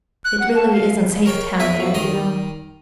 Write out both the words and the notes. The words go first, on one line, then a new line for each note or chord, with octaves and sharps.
"It really isn't safe down there, you know."
F#6
F#5
A5
F5
A#4 C#5 G5
E2 E4 B4 E5
A1 F#3
D#3 D#5 A#5 C6